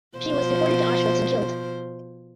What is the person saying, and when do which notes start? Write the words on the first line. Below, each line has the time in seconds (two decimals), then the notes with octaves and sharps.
She was deported to Auschwitz and killed.
0.18 B2 F3 C5